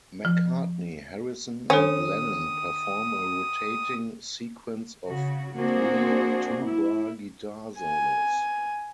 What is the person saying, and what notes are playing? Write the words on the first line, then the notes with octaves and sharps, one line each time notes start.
McCartney, Harrison, and Lennon perform a rotating sequence of three, two-bar guitar solos.
F3
D#3 C#4 D4 A4 D#6
C#3 F#4
A#3 C4 D4 F#4 G#4 C5
E4
G#5